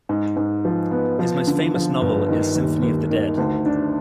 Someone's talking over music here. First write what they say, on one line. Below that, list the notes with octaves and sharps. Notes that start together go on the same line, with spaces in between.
His most famous novel is "Symphony of the Dead".
G#2
G#2
F3
B3
F3
D3
F3
G1
D#3
D#2
D#2
D#3
D2
D4